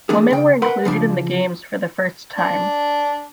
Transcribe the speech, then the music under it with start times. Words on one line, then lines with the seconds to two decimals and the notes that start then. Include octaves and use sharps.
Women were included in the games for the first time.
0.09 E3 A3 D4 G#4
0.30 C#3 G5
0.62 A#4 B4 F#5 B5 C6
0.85 C#3 F3 D4
2.37 D4